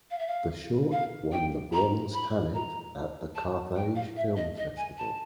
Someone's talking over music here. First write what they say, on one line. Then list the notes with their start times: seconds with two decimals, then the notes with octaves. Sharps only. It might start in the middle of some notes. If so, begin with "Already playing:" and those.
The short won the Bronze Tanit at the Carthage Film Festival.
0.10 F5
0.18 E5
0.27 F5
0.91 F5
1.31 G5
1.72 A#5
2.13 B5
2.54 A#5
3.35 A5
3.75 G5
3.95 F5
4.16 E5
4.36 D#5
4.57 D#5
4.77 G#5
4.97 A5